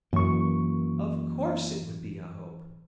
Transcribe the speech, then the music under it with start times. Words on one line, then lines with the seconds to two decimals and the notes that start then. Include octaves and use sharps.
"Of course it would be a hope."
0.13 F#2 E3 A#3 C#6